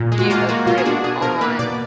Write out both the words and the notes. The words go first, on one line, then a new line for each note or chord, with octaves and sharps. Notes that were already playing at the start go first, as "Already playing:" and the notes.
get a grip on
Already playing: A#2
G#3
F#4
A#3 F4
A#3 F#4
B2 F4
G#4
D4 F#4
B2 G#4
B2 A#4
A#3 B4
B2 D5